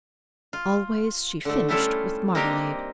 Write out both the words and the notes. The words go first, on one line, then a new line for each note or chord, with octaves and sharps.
Always she finished with marmalade.
F4
D3 A3
G3 A3 C#4 E4 F4 A4
A#3 C4 D4 D#4 G4 A#4